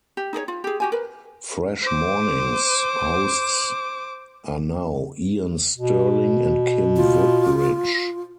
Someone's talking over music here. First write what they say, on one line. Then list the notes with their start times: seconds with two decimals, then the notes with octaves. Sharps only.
Fresh Mornings hosts are now Ian Sterling and Kim Woodbridge.
0.17 G4
0.33 D#4 G#4 A4 C#5
0.48 F4
0.64 G4 G#4
0.80 F#4 G4 G#5
0.92 A#4 B4
1.82 C5 D6
5.77 B2
6.96 F4